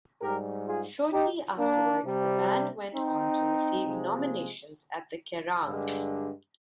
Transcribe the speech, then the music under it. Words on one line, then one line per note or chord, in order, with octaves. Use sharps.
Shortly afterwards, the band went on to receive nominations at the Kerrang!
G#2 G3 G4 A#4
F4 G#4
D#4 G4
A#3 D4
C3 G3
C4 D#4
C3 F3 G#3
G2 D3 G#3